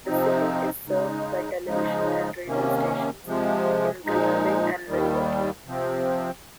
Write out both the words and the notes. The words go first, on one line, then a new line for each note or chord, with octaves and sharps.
The city is served by television and radio stations in Green Bay and Milwaukee.
C3 F3 C4 D#4
C#3 G#3 D#4
C#3 F3 G#3 D#4
C3 D#3 A#3 C#4
C3 F3 G#3
A#2 F3 G#3 D#4
D#2 D#3 G3
C3 F3 C4